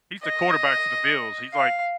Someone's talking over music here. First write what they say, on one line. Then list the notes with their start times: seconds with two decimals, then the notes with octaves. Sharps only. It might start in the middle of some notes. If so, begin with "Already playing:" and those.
He's the quarterback for the Bills. He's, like
0.24 D#5
1.53 F5